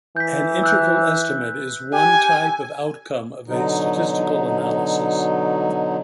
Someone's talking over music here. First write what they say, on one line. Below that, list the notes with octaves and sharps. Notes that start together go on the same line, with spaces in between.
An interval estimate is one type of outcome of a statistical analysis.
E3 G6 B6
E6 F#6 G6
G4 G#5
B2 D3 F#3 D#4